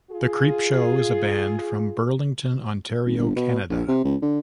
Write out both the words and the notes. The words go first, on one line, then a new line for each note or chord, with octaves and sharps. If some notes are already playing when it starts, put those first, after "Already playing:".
The Creepshow is a band from Burlington, Ontario, Canada.
F4 G#4
G#1
G1
B2
A#1
C3
C#2
D3